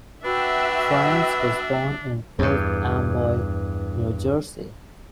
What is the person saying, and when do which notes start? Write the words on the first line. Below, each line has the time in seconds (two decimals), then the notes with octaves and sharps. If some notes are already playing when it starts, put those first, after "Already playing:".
Franz was born in Perth Amboy, New Jersey.
0.24 D4 F#4 B4 E5 G5 E6
2.39 E2 G2